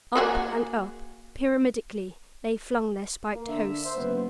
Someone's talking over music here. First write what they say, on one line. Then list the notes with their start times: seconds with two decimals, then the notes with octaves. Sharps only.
Up and up, pyramidically, they flung their spiked hosts.
0.15 A#3 F#4 G#4
3.33 A#3
3.48 D3 E5
3.85 C5
3.96 F#1 B3